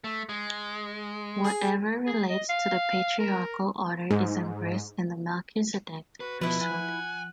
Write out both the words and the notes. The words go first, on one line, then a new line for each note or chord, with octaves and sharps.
Whatever relates to the patriarchal order is embraced in the Melchizedek Priesthood.
A3
G#3
G#4
G#4
D#5
F5
A#4
G#2
F#4 B4
B2 F3 E4 B4
F#5 G#5